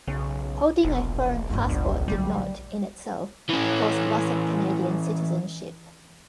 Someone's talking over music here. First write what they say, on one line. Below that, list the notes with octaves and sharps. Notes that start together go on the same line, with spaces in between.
Holding a foreign passport did not "in itself" cause loss of Canadian citizenship.
B1 C#3
E1 A#1
G1 E2
C#2
D3 F#3 G3
E3 C#4